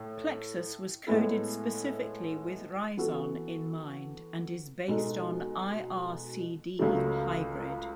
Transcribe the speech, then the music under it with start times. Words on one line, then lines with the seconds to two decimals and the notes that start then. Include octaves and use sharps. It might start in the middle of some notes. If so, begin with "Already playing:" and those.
Plexus was coded specifically with Rizon in mind and is based on ircd-hybrid.
Already playing: A2
1.07 A2 G#3 B3 E4 A4
2.97 E3 B3 F#4 A4
4.88 B2 G#3 D#4 A4
6.79 C#2 C#3 F#3 A3